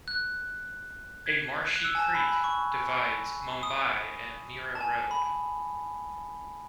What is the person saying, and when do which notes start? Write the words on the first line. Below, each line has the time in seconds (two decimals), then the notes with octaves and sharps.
A marshy creek divides Mumbai and Mira Road.
0.08 F#6
1.26 G#6
1.76 F#6
1.85 E6
1.95 G#5
1.99 A5
2.15 B5
2.29 B5
2.44 C#6
3.63 D#6
4.75 A5
4.81 G#5
5.11 B5